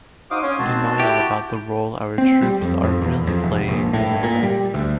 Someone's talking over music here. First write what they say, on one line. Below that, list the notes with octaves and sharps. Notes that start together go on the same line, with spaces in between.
Denial about the role our troops are really playing in Iraq.
D#4 F#4 C5 F5 D6 D#6
C#4 C#5 C6 D#6
D#3 G#3 C4 F#4 A5
E4 G4 G5
C4
G3
F2
F2
E2
F2
F1
A#1
A2
A#2
G3
D2